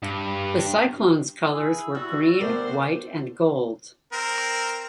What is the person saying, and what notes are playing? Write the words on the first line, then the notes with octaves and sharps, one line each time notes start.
The Cyclones' colours were green, white and gold.
G2
E4 G#4 E6
G3 F#4
D2 G3 B3 D4 A#4 C5
C4 A#4